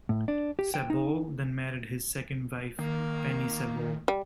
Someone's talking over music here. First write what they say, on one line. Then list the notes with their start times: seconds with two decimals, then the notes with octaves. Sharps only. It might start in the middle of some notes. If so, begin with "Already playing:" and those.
Sabol then married his second wife, Penny Sabol.
0.09 A2
0.28 D4
0.59 G4
0.74 G5
0.90 D#4
2.79 D#3 A#3
4.08 G3